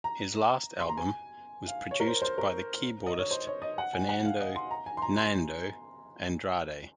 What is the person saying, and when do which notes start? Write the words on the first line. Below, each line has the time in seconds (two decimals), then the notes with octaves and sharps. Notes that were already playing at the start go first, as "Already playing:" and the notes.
His last album was produced by the keyboardist Fernando "Nando" Andrade.
0.04 A#5
0.80 C6
0.89 A#5
0.97 G#5
1.68 F5
1.91 C#5
2.00 A#4
2.07 C5
2.22 C5
2.38 A#4
3.06 D#5
3.19 C#5
3.31 C5
3.47 C#5
3.62 D#5
3.78 F#5
3.93 G#5
4.09 F#5
4.25 F5
4.41 D#5
4.56 C6
4.71 A#5
4.86 G#5
4.97 C6
5.02 A#5
5.17 C6